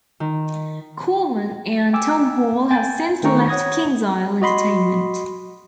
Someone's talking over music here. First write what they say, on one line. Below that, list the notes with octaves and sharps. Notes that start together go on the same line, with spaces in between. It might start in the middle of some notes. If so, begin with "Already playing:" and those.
Coleman and Tom Hall have since left KingsIsle Entertainment.
D#3
G5 G#5 D6 E6
G5 G#5 A6
D#3 A3 C4 G5 A#5 C#6
C#5 F#5 D#6 G#6 A#6
F#4 D#5 B5 C6